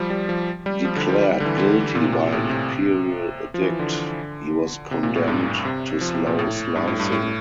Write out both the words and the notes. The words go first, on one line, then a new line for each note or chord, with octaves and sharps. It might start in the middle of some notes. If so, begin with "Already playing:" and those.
Declared guilty by an imperial edict, he was condemned to slow slicing.
Already playing: F3 G3
G3
F3
G3
F3
D3
F3
G3
D3
E3
D3
A#2
C3
A#2
A2
C3
F3
E3
D3
C3
A#2
A2
G2
C3
F3
C3
A#2
A2
G2
A2
G2
A2